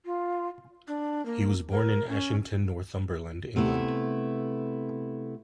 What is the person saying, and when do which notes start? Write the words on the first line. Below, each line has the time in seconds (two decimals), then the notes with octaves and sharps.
He was born in Ashington, Northumberland, England.
0.05 F4
0.88 D4
1.26 A#3
1.72 A#4
2.09 C#4
3.56 C3 A3 B3 E4